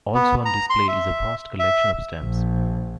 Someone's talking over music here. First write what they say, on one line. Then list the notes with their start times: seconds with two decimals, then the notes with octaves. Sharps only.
Also on display is a vast collection of stamps.
0.14 B3
0.45 A#5
0.70 C6
0.88 E5
1.59 E5
2.24 A#1